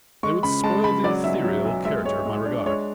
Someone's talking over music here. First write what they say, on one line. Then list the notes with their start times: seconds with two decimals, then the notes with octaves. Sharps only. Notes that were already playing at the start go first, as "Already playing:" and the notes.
They would spoil the ethereal character of my regard.
0.23 G#3 C#6
0.43 C#3 B5
0.64 G#3 A5
0.84 C#3 B5
1.04 F#3 D5
1.24 B1 E5
1.44 F#3
1.65 B1
1.85 G#3 E5
2.05 G#3 C#5
2.25 G#3
2.46 D4
2.66 G#3 C#5